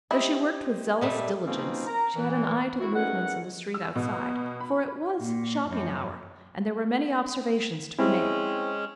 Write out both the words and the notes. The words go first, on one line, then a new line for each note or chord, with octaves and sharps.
Though she worked with zealous diligence, she had an eye to the movements in the street outside, for it was shopping-hour, and there were many observations to be made.
E4 G4 C5 D#5
A#2 G3 A3 D#5
B2 F3 A#3 C4 C#4 D#4
A#4 A#5
A#2 E3
E4 F#4
E2 D#3 C#4 F#5
E6
B2
B5
A#2
F#2
G#3 C4 C#4 E4